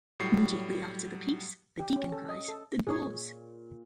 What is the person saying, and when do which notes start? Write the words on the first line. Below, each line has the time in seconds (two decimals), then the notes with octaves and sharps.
Immediately after the peace, the deacon cries The doors!
0.20 A2 F#3 G3 C7
1.79 G4
1.96 C#4
2.12 A4
2.29 D#5
2.49 A4
2.87 A#2 G#4 C#5